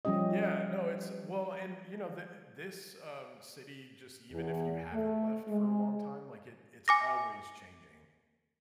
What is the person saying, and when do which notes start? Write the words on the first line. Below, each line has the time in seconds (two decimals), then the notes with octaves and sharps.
Yeah, no, it's well and, you know, thi this, um, city, just even if you haven't left for a long time, like, it it's always changing.
0.05 F3 G3 C#4 G4 D#5
4.31 E2
4.93 A3
5.48 G#3
6.88 G#5 D6 A#6